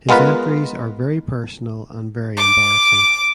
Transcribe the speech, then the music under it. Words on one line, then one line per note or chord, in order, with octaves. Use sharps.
His entries are very personal and very embarrassing.
G#3 B3 F4 A#4 B4
D6